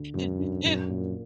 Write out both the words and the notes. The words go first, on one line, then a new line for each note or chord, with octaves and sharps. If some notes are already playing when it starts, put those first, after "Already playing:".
It it
Already playing: D2 D3
E1 F#2
D2 D3
A#1 F#2
A#2 A#3